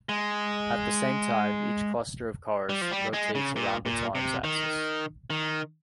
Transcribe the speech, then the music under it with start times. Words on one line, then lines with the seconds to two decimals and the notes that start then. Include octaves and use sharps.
At the same time, each cluster of cars rotates around its arm's axis.
0.09 G#3
2.69 G3
2.81 F3
2.91 G3
3.13 G#3
3.35 C#3
3.56 A#2
3.86 A#2
4.15 C3
4.44 D#3
5.30 D#3